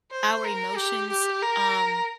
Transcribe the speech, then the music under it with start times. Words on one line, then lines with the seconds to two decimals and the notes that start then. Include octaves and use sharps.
our emotions, um,
0.12 C5
0.44 A#4
0.76 G4
1.10 G4
1.42 A#4